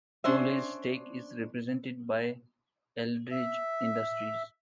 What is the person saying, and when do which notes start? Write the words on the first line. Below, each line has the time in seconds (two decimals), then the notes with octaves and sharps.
Boehly's stake is represented by Eldridge Industries.
0.24 C#4 D4 C5 E5
3.31 E5